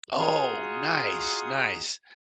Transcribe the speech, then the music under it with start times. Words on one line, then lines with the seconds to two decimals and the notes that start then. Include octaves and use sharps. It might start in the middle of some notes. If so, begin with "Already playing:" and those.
Oh, nice, nice.
0.19 D#4 F4 F#4 G#4